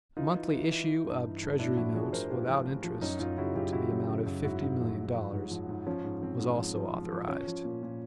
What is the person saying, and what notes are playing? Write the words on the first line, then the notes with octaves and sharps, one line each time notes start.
A monthly issue of Treasury notes, without interest, to the amount of fifty million dollars, was also authorized.
E3 D#4 F4
E3
E3
E3
E3
G2
E3
G2
A2 D4 E4
F3 E4 F#4
F3 F#4 G#4
F3 A#4 C5
A2 F4 G4
F3
A2
F3
F#2 C#4 D#4
F#2 D#4 F4
C#3 E4 F#4
F#2 F4 G4
C#3 E4 F#4
F#2
C#3
F#2
G#2 E4 F#4
G#2
F3
G#2
F3
G#2
F3
G#2
F3 C#4
G#2
F3 C4
G#2
F3
F3
F3
F3
F3 C#4
F3
A#2
A#2